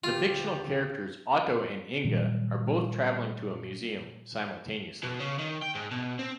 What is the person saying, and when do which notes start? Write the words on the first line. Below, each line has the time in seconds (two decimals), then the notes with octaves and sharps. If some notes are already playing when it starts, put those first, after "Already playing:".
The fictional characters Otto and Inga are both travelling to a museum simultaneously.
0.04 D#1 D2 F4 G4 F6
2.04 A#2 D#3 F#3 G3
5.03 B2
5.20 C#3
5.38 D#3
5.62 G5
5.75 G#2
5.91 B2
6.19 C4